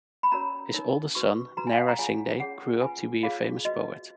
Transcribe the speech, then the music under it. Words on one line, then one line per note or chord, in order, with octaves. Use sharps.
His oldest son, Nara Singde, grew up to be a famous poet.
B5
C#4 F#4 A#4 C#5 A#5
D#4 A#4 C#5
F#4 B4 C#6
F#4 B4 A#5
G#5
F5
F#5
A#5
F4 G#4 C#5 G#5
C#4 G#4 C#5 F#5
F4 B4 G#5
F4 G#4 C#5 F5
F#4 B4 D#5